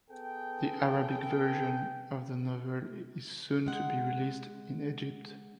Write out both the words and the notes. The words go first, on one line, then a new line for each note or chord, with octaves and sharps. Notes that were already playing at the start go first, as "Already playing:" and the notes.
The Arabic version of the novel is soon to be released in Egypt.
B3 G#4 A4 G5
G#3 F#5